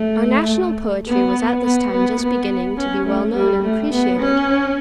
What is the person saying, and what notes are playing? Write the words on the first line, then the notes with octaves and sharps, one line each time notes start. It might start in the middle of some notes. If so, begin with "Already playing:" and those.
Our national poetry was at this time just beginning to be well known and appreciated.
Already playing: A3
B3
B3
B3
B3
C#4
A3
G3
A3
B3
C#4